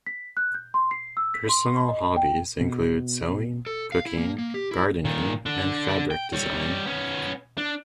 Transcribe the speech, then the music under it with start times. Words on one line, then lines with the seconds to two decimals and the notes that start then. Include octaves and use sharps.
Personal hobbies include sewing, cooking, gardening, and fabric design.
0.07 B6
0.37 F#6
0.54 G6
0.74 C6
0.91 C7
1.17 E6
1.34 B6
1.49 C6
1.89 D#5
2.17 G5
2.61 B2
3.67 A4
3.92 F5
4.06 E4
4.18 A#3
4.39 A#3
4.54 G4
4.71 E4
5.05 A#2 D#3
5.46 D3 D4
6.11 G5
6.33 G3 C#5
6.85 B3 C#4
7.58 D4